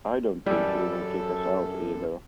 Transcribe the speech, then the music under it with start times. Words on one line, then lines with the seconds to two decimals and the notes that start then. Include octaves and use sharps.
I don't think he will kick us out, either.
0.46 F#2 E3 G3 A4 D5